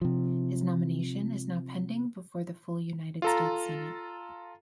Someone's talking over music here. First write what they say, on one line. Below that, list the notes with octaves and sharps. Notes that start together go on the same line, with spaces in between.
His nomination is now pending before the full United States Senate.
C3 F3
F4 A4 A#5